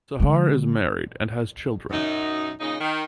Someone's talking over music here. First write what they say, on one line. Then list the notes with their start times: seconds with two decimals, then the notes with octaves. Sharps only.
Sahar is married and has children.
0.20 D3 G#3
1.91 F#2 D#4
2.60 A#2 C#3 D#4
2.80 D#3